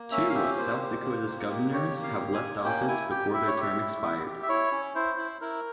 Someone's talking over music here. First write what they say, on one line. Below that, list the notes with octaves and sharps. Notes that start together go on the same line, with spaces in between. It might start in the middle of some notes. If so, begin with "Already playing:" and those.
Two of South Dakota's governors have left office before their term expired.
Already playing: A#3
C#4 E5
F5
G4 E5
A#3 C5
G4
A#3
A#3
G4
G4 C#5
A#3
F5
G4
G#5
A#3
C#4 G5
E4 G#5
G4 G5
E4 E5
C#5
G4 E5
E4
E4
G4
E5
E4 C#5
C#4
E4 C5
E4
E4 A#4